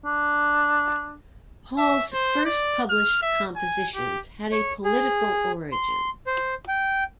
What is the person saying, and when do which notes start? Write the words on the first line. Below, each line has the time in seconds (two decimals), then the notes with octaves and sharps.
Hall's first published compositions had a political origin.
0.05 D4
1.78 E5
2.13 C5
2.45 D5
2.90 F6
3.23 E5
3.56 G#5
3.95 G4
4.52 C#5
4.85 G#4
5.72 C6
6.27 C5
6.68 G5